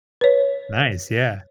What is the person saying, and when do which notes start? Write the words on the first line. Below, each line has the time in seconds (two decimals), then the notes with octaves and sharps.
Nice, yeah.
0.21 B4 C#5